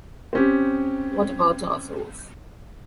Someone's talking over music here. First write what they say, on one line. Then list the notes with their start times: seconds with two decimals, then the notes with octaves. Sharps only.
What about our souls?
0.33 C4 C#4 G4